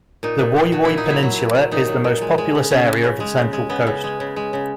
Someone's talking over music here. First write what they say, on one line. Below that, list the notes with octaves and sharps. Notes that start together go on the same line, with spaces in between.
The Woy Woy Peninsula is the most populous area of the Central Coast.
A#2 D#4
A#2
A#2
A#2 F#4
A#2 E4
D#4
F#3 E4
F#3
A#2
F#3
A#2 D#4
F#3
A#2
G#3
G#3
C#3
C#3 C#4
C#3
C#3
G#3
C#3
G#3
C#3 B3
C#3
G#3
C#3
G#3
C#3